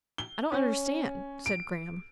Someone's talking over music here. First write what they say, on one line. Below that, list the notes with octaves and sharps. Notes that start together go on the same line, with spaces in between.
"I don't understand," said Graham.
G7
C#4
D7